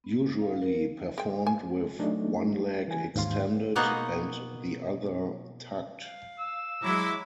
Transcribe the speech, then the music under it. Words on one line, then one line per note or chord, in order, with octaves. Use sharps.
Usually performed with one leg extended and the other tucked.
B3
F5
A#4
G#3 G5
G#5
F#3 A3 D4 D#4
E3 G#5
D#2 G#2 F5 C6
B2 A#3 B3 D#4 F#4 G#4
F5
E6
F#3 G#3 E4 A#5 D6